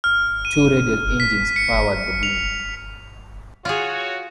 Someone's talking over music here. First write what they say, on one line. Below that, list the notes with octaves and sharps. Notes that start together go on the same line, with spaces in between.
Two radial engines powered the blimp.
F6
D#7
B6
C#7
F7
F4 F#4 G#4 C#5